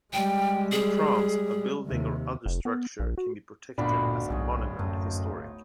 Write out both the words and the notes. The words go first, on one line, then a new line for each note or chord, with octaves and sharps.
In France a building or other structure can be protected as a Monument historique.
G3 G#3 G5
G#4
D#2 C3
F1
B3
A#1
F#4
D1 G1 A#2 D4 D#4 F#4 B5
B1 G#4 C#5
F#2 A3 D#4